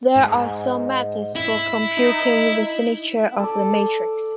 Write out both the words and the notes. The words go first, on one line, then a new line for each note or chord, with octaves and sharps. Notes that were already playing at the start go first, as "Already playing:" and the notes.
There are some methods for computing the signature of a matrix.
G#2
E4
D#4
A4 D5